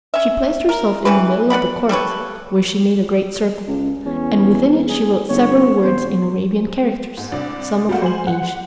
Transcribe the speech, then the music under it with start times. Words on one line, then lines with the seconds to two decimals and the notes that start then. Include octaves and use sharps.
She placed herself in the middle of the court, where she made a great circle, and within it she wrote several words in Arabian characters, some of them ancient.
0.14 C#4 E5
0.69 A#4
1.05 E3 G3 C#4 B4
1.50 B4 D5 F#5 B5
1.89 G3 A4 B4 C#5
3.67 C#2
4.06 E2 C#4
4.88 G#4
5.29 G1 C#5
5.84 E1 C5
7.17 G#2
7.32 C2 D4
7.89 G3 A3 A#3 F#4
8.02 C5 G#5 F#7
8.27 F#5